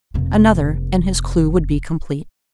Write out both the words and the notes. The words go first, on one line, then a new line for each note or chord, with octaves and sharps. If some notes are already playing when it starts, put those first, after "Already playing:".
Another, and his clue would be complete!
F1 A#3